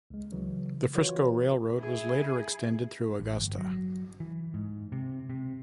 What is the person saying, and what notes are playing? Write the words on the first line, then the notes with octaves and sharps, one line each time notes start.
The Frisco Railroad was later extended through Augusta.
C#2 G#3
C#3 E3 F#3
E3 F4 F#4 B4 C#5
E4 G#4
A1
G1
F#3
E3
G#2
C3
C3